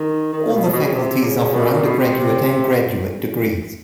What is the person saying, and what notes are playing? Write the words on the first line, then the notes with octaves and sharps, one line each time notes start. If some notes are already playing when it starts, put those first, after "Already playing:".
All the faculties offer undergraduate and graduate degrees.
Already playing: D#3
D#3
B2
B2
C#3
C3
C#3
B2
A#2
B2
C3